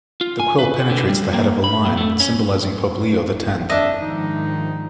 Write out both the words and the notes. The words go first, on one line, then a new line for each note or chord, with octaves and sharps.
The quill penetrates the head of a lion symbolizing Pope Leo the Tenth.
F4
G#5
B4
D3
G3
A#3
B5
A#2
A3
C#4
F2 D4 D#5 E5
G#2 D#3 F3 D#4